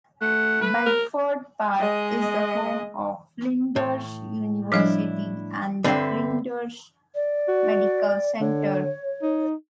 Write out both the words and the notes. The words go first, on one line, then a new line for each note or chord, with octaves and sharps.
Bedford Park is the home of Flinders University and the Flinders Medical Centre.
A3 F#5
B4
A#4
G#3 D#5
A2
F3 G3 D4 E4 D#5
G2 D3 C4 E5
D5
F#4
D3 C#5
D#4